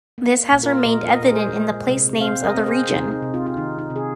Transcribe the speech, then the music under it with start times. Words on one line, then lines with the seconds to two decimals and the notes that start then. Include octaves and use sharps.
This has remained evident in the place names of the region.
0.18 A#3
0.52 A#2
0.63 F4 A#4
0.85 A#2 A#4 D#5
1.08 A#4 D#5
1.20 A#2 A#4
1.30 G#4 C5
1.54 G#3
1.87 C3
2.21 C4 C5 F5
2.43 A#4 D#5
2.54 C4
2.60 D#5
2.66 G#4 C5
2.88 C3 D#4 G#4
3.11 D#4 G#4
3.22 C3
3.34 C4 F4
3.46 F4
3.57 D#3 D#4
3.79 D#4
3.90 C3
3.96 G#4